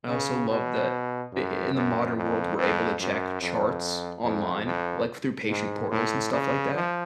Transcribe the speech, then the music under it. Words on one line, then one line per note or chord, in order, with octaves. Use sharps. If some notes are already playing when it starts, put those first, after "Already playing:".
I also love that in in the modern world, we're able to check charts online, like through patient portals and stuff like that.
C#3
B2
F#2
F#2
F2
F2
F#2
F2
F2
F2
G#2
A2
C#3
F3